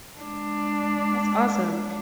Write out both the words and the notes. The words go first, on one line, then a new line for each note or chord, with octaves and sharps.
That's awesome.
G#3 D4